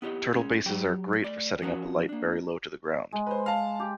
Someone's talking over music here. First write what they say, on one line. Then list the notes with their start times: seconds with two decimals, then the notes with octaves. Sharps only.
Turtle bases are great for setting up a light very low to the ground.
0.02 B3 E4 G4 C#5 D#5
0.34 G#3 C#4
0.66 F#3 G4 C#5 G5
1.22 A3 D5
1.62 F3 C#4 F#4 A#4
2.09 A#3 D4
3.12 G#3
3.27 B4 C5
3.46 F5 A5
3.80 G4